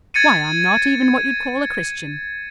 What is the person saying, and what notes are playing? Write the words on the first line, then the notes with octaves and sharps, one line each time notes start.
Why, I'm not even what you'd call a Christian.
G#6 A6 C#7 D#7